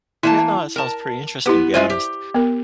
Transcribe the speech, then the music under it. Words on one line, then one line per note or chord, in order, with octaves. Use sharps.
Yeah, no, that sounds pretty interesting be honest.
E3 A#3 E4 A5
A#4 A5
B3 E4 G4 B4
G#3 C#4 F4 C5 E5
G4
B3 A#4